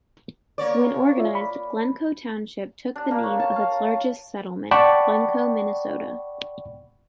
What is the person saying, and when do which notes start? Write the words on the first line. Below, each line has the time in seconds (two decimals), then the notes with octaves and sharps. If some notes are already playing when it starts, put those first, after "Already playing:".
When organized, Glencoe Township took the name of its largest settlement: Glencoe, Minnesota.
0.58 A#3 C#5 D5
1.18 F4 E5
1.35 B5
2.96 D4
3.11 A#3
3.23 C#5
3.40 A5
3.56 F5
3.71 A#5
3.88 A5
4.71 D5 F#5 G5 A5 B5 C#6